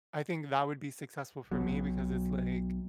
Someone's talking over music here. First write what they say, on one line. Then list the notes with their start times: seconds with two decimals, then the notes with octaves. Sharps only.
I think that would be successful for me because it's like,
1.51 B1 B2 F#3